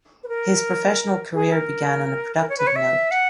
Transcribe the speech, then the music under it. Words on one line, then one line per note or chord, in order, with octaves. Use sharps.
His professional career began on a productive note.
B4
A#4
G#4
A#4
A#4
C#5
B4
C#5
E5
F#5